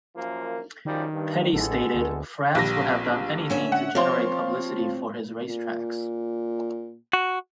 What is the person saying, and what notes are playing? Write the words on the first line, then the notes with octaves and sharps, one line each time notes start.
Petty stated, France would have done anything to generate publicity for his racetracks.
F#2 F3 A#3
F#2 D#3 F3 G3
G2
A1 G#3 B3 A4
D2
A#1 G3 A#6
D3 C#4 E5
F#5
F3 C4 F4 C#5 C6
A#2
F#4